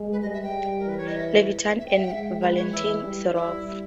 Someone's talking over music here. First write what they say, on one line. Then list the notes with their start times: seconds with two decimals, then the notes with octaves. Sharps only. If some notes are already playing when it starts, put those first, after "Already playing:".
Levitan, and Valentin Serov.
Already playing: G#3
0.12 B4
0.22 G3 D#5
0.33 E5
0.43 G5
0.79 A#4
0.85 E3 B4
0.98 C#5
1.07 D#5
1.16 E5
1.79 E5
1.87 G5
1.95 E5
2.04 G5
2.11 G#3 E5
2.42 B4
2.56 C#5
2.72 E3 E4
3.04 G3
3.34 E4